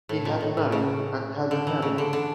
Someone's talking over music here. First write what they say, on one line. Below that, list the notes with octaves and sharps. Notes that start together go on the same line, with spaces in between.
He had married and had a family.
A2
A#2
A2
A2
C#3
D3
E3
C#3
D3
D3